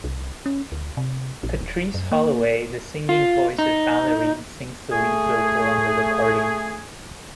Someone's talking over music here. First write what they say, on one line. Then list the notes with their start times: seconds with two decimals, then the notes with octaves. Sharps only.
Patrice Holloway, the singing voice of Valerie, sings the lead vocal on the recording.
0.04 C2
0.46 C#4
0.72 D2
0.97 C3
1.43 A#1
1.61 D#1
1.94 F#2
2.12 A#3
3.09 F4
3.59 D#4
4.92 A3 G#4